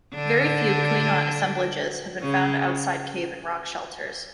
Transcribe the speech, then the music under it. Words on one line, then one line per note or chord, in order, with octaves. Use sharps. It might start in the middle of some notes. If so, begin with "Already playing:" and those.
Very few Quina assemblages have been found outside cave and rock shelters.
D3 D4
C#3 C#4